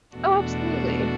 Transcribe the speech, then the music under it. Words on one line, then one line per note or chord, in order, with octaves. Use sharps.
Oh, absolutely.
E2 B2 A3 D4 F#4